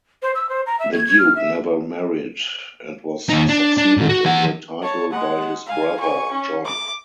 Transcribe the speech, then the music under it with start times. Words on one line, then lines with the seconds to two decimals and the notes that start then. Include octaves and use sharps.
The duke never married, and was succeeded in the title by his brother, John.
0.22 C5
0.35 E6
0.49 C5
0.66 A#5
0.79 E5
0.93 G#6
1.05 G#6
1.19 F6
1.36 E5
3.30 D#2 D#4
3.49 D4
3.78 D4
3.97 G#2 D#3
4.09 F#4
4.25 E3 F#5
4.82 C#5 A5
5.11 G#3 F#5
5.66 F5 G#5
5.99 G#5 C#6
6.32 C#4
6.65 D6